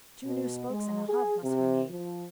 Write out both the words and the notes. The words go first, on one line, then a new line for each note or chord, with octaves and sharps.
Two new spokes and a hub must be made.
B2
G#3
G#4
C3
F3